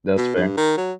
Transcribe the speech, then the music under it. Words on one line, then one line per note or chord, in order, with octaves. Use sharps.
That was fair.
B2
G2
D#3
F#3